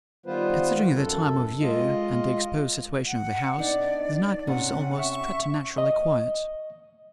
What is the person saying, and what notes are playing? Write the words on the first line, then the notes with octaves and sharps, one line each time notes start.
Considering the time of year, and the exposed situation of the house, the night was almost preternaturally quiet.
D#3 G3 B3 F4 B4 C5
F#2 A4
G#3 F4 D#5
F#5
B3 D4 D#4 D5
C3 C#4 F#5
E5 C#6
D#5